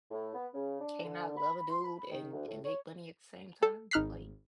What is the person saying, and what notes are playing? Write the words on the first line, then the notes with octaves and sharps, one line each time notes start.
Can't I love a dude and and make money at the same time, like,
A2
B3
C#3
D4
D3
B5
C6
B5
D#3
D2
A2
C#5
A4
G#1 D#4 F6 F#6 B6 C7